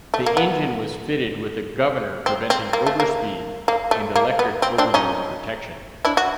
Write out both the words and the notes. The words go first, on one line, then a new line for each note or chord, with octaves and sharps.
The engine was fitted with a governor preventing overspeed, and electric overload protection.
A3
A#3
B3
C4
C4
A#3
A3
A#3
A#3
A3
A#3
B3
C4
C4 D4
C#4 D#4
D4 E4
F#4